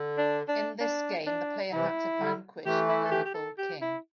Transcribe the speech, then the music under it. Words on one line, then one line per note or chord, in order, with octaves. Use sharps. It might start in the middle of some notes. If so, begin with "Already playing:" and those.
In this game the player had to vanquish an evil king.
Already playing: D3
D4
D4
D4
D4
C3 E3 E4
D3 G3
E3 A3 G4
E4
A4
G4
G4
A4
G4
E4